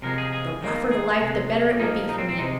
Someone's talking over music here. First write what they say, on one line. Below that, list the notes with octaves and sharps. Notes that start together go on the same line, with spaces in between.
The rougher the life, the better it will be for me.
C3 F3 G#3 A#4
G#4
G#4
D#3 A#3
G#4
C3 G#3
A#2 F3 A#3 D#4
D#4
C4
C4
C3 G#3 D#4